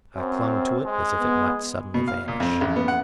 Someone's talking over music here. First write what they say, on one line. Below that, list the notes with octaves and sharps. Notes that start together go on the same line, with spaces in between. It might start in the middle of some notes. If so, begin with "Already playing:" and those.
I clung to it as if it might suddenly vanish.
F#2 C4
G#3
B3
B2
F5
A#2
F2
A1
B3
F#5